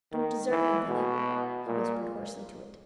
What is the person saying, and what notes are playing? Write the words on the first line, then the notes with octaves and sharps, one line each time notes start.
"Don't desert me, bully," he whispered hoarsely to it.
D#3
E3
B2
A#2